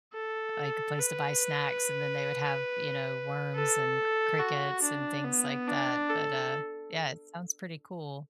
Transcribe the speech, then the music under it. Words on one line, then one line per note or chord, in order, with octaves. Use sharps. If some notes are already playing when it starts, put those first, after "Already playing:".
like a place to buy snacks, and then they would have, you know, worms and c crickets, and things like that, but, uh, yeah, it sounds pretty cool.
A4
B4
A4
F#4
D4
B3
D4
A4